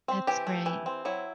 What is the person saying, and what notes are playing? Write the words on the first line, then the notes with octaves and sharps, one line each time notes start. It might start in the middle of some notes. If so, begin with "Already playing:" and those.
That's great.
C4
E3 G4
A3
E3
C4
F#3 E4